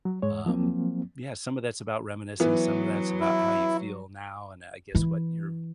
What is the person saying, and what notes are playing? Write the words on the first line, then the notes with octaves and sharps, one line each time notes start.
Um, yeah, some of that's about reminiscing, some of that's about how you feel now and, uh, I guess, what you're
F#3
G#2 G#3 C#5
F3 F#3 A#3 C4
E3 F#3 B3
E4
E3 E4